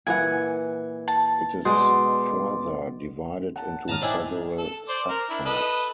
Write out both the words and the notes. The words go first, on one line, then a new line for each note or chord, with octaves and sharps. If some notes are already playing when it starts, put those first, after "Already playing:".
It is further divided into several subtypes.
A#2 E3 F#5 G#5
A5
B2 G#3 C5 D5
F#5 A5
G#2 C#5 A5 A#5 D#6 F6
D4 E4 G#4 C5 D#5 G5
A4
C5 D5
A#4
D4 E4
A4 B4 D#5